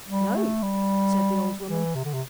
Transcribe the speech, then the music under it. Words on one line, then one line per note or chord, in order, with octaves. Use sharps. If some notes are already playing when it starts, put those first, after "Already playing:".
"No," said the old woman.
G3
A3
G3
E3
C3
D3
C3